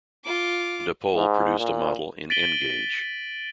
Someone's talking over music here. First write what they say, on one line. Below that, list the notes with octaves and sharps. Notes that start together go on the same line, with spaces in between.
Dapol produce a model in N gauge.
F4 D6
G#2
A#2
A6 B6 D7 D#7 F#7 G7